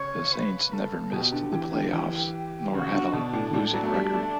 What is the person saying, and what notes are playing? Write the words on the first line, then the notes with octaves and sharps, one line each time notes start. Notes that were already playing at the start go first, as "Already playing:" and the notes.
The Saints never missed the playoffs nor had a losing record.
Already playing: C#3 C#5
B4
A4
B2 G4
D3
E3
D3
E3
C#3 F#4
D3
B2 D4
A2
A2
F#3
A3
G3
A3